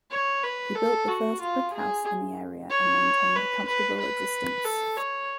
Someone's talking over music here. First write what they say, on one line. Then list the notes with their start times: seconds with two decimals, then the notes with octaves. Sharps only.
He built the first brick house in the area and maintained a comfortable existence.
0.11 C#5
0.43 B4
0.75 A4
1.08 F#4
1.40 F4
1.73 G#4
2.70 C#5
3.35 B4
3.67 B4
4.00 B4
4.64 A4
4.97 C#5